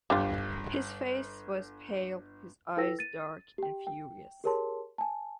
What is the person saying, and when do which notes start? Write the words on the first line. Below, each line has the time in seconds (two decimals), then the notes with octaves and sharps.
His face was pale, his eyes dark and furious.
0.10 G1 G3 D4 F4
2.77 E4 A4 B4 G5 E6 A#6
2.99 A6 D#7
3.58 G4 G5
3.87 G5
4.44 G4 G#4 A#4 C#5 A5 C6
4.98 G#5 A5